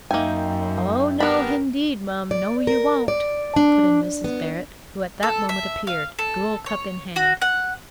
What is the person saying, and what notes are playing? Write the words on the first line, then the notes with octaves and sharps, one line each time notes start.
"Oh no, h'indeed, mum,--no, you won't," put in Mrs. Barrett, who at that moment appeared, gruel-cup in hand.
F#2 A#3 D#4 E5 G5 G#5
B3 D4 G4 A#4 B5
D5
A#4
D5
D4
B3
A4
E5
F5
A4
C#5
F#4
F#5